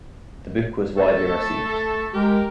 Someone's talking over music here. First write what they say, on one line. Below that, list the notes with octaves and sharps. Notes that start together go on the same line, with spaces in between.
The book was widely received.
A3 A4
G#3 G4 A#4